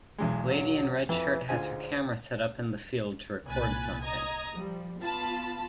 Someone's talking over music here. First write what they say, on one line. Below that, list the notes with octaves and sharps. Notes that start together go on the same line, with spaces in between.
Lady in red shirt has her camera set up in the field to record something.
B1 E2 G#3
F#3
F2 E3
D2 G#2 F4 G#5
C2 A#2 G#5 B5 F#6 A6
D#5 A#5 D#6 G#6
F3 G3
B3 F4 A5 B5